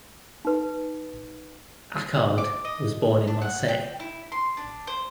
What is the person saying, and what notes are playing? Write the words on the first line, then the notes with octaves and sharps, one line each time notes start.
Achard was born in Marseille.
D#4 B4
D6
D#5
D4
F#5
G5
E4
C6
D4
C5